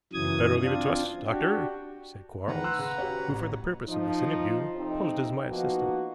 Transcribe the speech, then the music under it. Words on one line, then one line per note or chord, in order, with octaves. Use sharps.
"You had better leave it to us, doctor," said Quarles, who, for the purpose of this interview, posed as my assistant.
F#2 C#3 E3 F#3 D#6 G#6
C4 D4 F4
D4 F#4 G4
D#3 B4 F#5 A#5
C6 E6 F#6
C#3
C#4 F#4 G4
A1
F3 D#4
F2 C3 C4 D#4
F3 A#3 B3 D#4 F#4